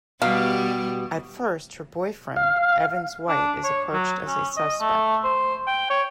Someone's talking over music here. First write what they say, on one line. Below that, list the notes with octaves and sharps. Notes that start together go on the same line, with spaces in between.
At first, her boyfriend, Evans White is approached as a suspect.
B2 G3 B3 G4 F5
F5
D4
C#5
F#3
C#4
D#5
A3
C5
G5
C#5